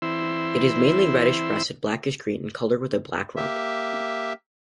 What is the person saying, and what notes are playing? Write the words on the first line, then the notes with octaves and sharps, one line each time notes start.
It is mainly reddish-breasted, blackish-green in color with a black rump.
E3 C4 E4 C6 E6
A#3 G4 E5